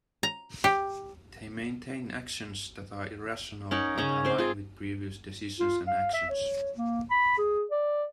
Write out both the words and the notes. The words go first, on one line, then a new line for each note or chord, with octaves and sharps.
They maintain actions that are irrational, but align with previous decisions and actions.
A#5
G4
C#4 D#4 A#4 F#5
C#3 C#4 A#5
C4 C5 F5
F4 G#4
F4
F5
E5
C#5
A#3
B5
G#4
D5